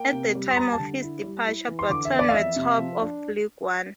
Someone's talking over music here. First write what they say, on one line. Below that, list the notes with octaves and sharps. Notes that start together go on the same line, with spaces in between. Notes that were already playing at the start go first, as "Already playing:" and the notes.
At the time of his departure Burton were top of League One.
Already playing: A#3 G5
C3
G3
C6
G3 A#5
A5
D3
E4
G3
E4
E3
C6
D3 D6
E5
E2
D5
F5
F2 E5
C3
F3
D4